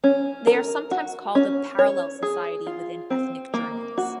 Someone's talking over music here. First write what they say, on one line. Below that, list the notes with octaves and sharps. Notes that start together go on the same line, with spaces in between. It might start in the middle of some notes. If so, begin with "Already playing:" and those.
They are sometimes called a parallel society within ethnic Germans.
C#4
A#4
F#4
C#4
C#5
G#4
F4
C4
A#3
F#4